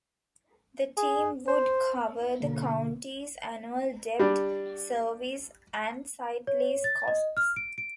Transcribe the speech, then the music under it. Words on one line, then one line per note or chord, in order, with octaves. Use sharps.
The team would cover the county's annual debt service and site lease costs.
G#4
C5
B2 D3 A#3
G3 D4
C#5
A6
D#5
F6
D7
D7